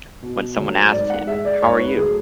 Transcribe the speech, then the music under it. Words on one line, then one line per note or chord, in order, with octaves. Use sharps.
When someone asked him, How are you?
B2
F#3 A3
G#2 D5
F#5
G#3 E5
D5
G#2 C#5
B4
F#3 A3 G#4